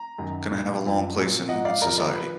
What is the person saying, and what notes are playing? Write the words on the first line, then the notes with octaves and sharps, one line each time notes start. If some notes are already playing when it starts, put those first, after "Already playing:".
gonna have a long place in in society.
Already playing: A#5
F#2 D#3 F#3
A#2 F3
F#2 F3
A#2 F#3
G#2 F3 D#5 F#5
D5 F5
F2 F3 A#4 D5
A#4 D5
F3 B4